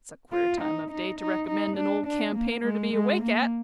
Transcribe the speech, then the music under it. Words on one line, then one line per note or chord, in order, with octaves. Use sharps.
That's a queer time of day to recommend an old campaigner to be awake at!
F4
D#4
D#4
D#4
D#4
D4
D4
A#3
G#3
G#3
A#3